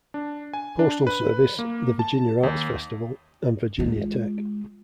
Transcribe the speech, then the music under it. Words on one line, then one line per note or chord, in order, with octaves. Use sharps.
Postal Service, the Virginia Arts Festival and Virginia Tech.
D4
G#5
D4
B4
A#3
A5
D#2
G#3 F4